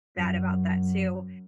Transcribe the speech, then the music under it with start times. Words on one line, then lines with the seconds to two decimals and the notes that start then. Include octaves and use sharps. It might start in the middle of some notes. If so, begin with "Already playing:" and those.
bad about that too,
0.16 F#2